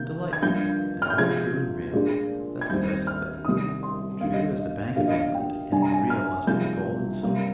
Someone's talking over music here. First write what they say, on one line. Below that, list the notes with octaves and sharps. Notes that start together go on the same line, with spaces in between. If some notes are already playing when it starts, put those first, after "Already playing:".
It's a delightful book, and all true and real--that's the best of it--true as the Bank of England, and real as its gold and silver.
Already playing: C3 D#3 A#3 G6
G#6
G2 F3 A#3 D4 G6
F6
G6
C3 F3 G#3 G#6
A#2 G#3 D4
G#6
D#2 D#3 G3 C4 D#4 G6
F6
C2 C3 D#3 D#6
C6
D#2 D3 G3 D4 F5
D#5
D#5
A#2 F3 A#3 D4 F5
D#5
F5
G5
C3 G3 D4 G#5
A#5
G#5
F6
C2 C3 F3 G#3 D#4 G6
C3 G3 A#3